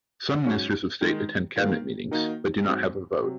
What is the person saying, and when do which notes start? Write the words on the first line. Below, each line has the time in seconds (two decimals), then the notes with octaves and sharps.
Some Ministers of State attend cabinet meetings but do not have a vote.
0.46 G#2 F#3 C#4
1.01 D#3 G#3 D#4
1.56 D#3 A#3 F4
2.11 D#3 A#3 D#4 F#4
2.66 G#2 F#3 C4
3.22 C3 F#3